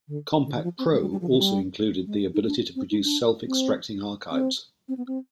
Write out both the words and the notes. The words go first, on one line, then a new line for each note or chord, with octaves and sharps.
Compact Pro also included the ability to produce self-extracting archives.
D3
D3
D#3
F3
C4
G#3
G3
G3
F3
D#3
G3
G#3
D#4
D4
C4
D#4
D4
C4
C4
C4
B3
C4